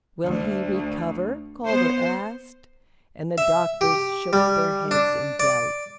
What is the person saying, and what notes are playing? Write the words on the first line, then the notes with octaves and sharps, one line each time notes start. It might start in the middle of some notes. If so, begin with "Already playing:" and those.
"Will he recover?" Calder asked, and the doctors shook their heads in doubt.
D2
B3 C5
E5
G4
G3
D4
D5